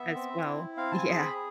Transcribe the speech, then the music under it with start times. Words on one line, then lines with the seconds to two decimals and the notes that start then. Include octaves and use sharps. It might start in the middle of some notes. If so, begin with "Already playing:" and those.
As well. Yeah,
Already playing: B3 E5
0.14 C4
0.45 E4
0.77 C4 F5
0.92 A5
0.98 G#5
1.08 G#4 A5
1.19 B5